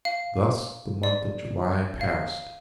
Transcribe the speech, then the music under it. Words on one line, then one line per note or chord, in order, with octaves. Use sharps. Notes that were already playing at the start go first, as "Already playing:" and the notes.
Thus the month of July passed.
F5
D5
F5